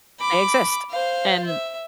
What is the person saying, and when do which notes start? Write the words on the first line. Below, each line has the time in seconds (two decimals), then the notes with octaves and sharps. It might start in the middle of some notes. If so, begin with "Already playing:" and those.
they exist, and
0.19 B5 D6
0.90 C5 F5
1.47 E5